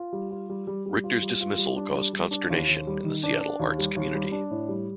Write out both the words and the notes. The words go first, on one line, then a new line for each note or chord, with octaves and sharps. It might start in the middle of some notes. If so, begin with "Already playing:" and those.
Richter's dismissal caused consternation in the Seattle arts community.
Already playing: F4
G3
F4
G3
G3
G3
F4
G3
F4
G3
D4
G3
G3
D4
D#2
D#2
G3
D#3
D4
D4
D#2
G3
D#2
G3
D4
A2
G3